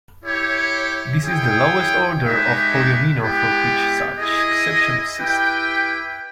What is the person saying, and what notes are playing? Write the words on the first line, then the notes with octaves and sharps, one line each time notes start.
This is the lowest order of polyomino for which such exceptions exist.
E4 G4 C#5
E4 G#4 C#5 G5
G#3 D#4 G4 B4 E5
G#3 B3 E4 G4
E4 G#4 D#5
E4 G4 B4 G5